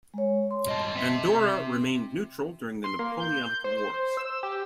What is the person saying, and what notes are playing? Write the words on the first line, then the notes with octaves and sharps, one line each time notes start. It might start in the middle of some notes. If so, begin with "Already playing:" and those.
Andorra remained neutral during the Napoleonic Wars.
G#3 C#5
C6
G2 D#5 A5
C4 E5
C6
A#3
G6
C5
E6
G4